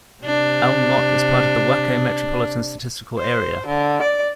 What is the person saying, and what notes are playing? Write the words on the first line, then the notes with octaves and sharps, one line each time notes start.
Elm Mott is part of the Waco Metropolitan Statistical Area.
C3 D4
C5
D3
D5